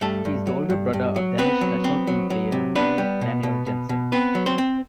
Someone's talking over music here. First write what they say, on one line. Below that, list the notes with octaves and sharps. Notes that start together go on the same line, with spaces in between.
He is the older brother of Danish national team player Daniel Jensen.
G2 A3 A4
G2
F#3
G2
G2
F#3
B3 C4 B4
F#3
C4
F#3
F#3
C3
B3 D4 B4
G3
B2
B2
B2
B2
B3 C4 B4
F#3
C4 C5
C4